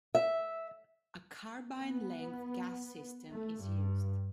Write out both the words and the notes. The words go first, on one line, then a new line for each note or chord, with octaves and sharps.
A carbine-length gas system is used.
E5
B3
A3
G2